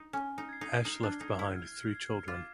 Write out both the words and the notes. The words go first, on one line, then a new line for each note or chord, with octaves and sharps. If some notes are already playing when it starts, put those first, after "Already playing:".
Ash left behind three children.
Already playing: D#4
C#4 F6
D#4
G#6 C7
D#4
D#4 F6
D4
D#4 G#6 C7
E4
F6
G#6 C7
F4 D6